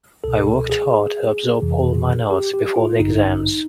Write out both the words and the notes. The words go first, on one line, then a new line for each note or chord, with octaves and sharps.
I worked hard to absorb all of my notes before the exams.
C#2 B2 A4
A4
G#4
F2 C3 E3
G4
G4
F4
A1 G2 D3 D#4